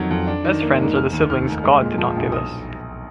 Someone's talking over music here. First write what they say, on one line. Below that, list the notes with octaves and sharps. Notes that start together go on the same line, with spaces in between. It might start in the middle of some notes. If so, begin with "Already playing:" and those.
Best friends are the siblings God did not give us.
Already playing: F2 D#3 F#3
F2
D4
D#3
A#3
G#2
F1 F6
D#2
D#3 F6
F1
G#3
A#2
F3
A#1
B1 D#6